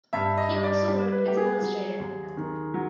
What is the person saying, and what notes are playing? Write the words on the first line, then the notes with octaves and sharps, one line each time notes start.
He also worked as an illustrator.
G2 E5
D#5
G3
D5
G3
B4
G3 G4
G#4
F#3
D#2
D#3
F#3